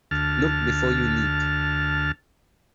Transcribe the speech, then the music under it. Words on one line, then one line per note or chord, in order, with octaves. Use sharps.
Look before you leap.
D2 A5 F6